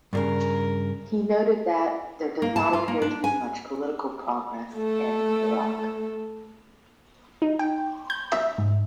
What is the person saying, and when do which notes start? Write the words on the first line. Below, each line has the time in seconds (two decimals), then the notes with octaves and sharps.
He noted that, "there does not appear to be much political progress" in Iraq.
0.13 G2 A#2 C#3 A#4
2.42 A#3
2.56 A5
2.73 F4
2.88 A#3
3.02 D4
3.24 G#5
4.75 A3 A4
7.42 D#4
7.59 G5
8.10 G6
8.32 E5
8.58 G#2